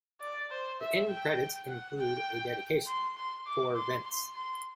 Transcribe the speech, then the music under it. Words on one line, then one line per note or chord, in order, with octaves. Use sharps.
The end credits include a dedication, For Vince.
D5
C5
E5
G5
F#5
G5
C6
C6
D6
C6
C6
C6